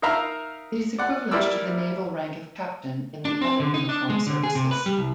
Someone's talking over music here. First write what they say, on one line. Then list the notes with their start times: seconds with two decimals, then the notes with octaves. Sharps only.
It is equivalent to the naval rank of captain in the other uniformed services.
0.02 D#4 A#4 E5 F5 A#5
0.99 D5 F#5
1.31 G3 E4 A#4 D5 E6
3.25 D4
3.41 C4
3.60 D3
3.74 D#4
3.89 D4
4.10 G#3
4.27 D3
4.43 G#4
4.55 C3
4.71 B4
4.86 G3
4.97 C2